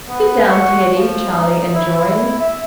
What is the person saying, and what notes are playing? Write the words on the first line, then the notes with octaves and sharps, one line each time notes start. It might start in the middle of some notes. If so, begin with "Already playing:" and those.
"Sit down, Teddy," Charlie enjoined.
B3
F#4
F3
D#4
E4
E4
E5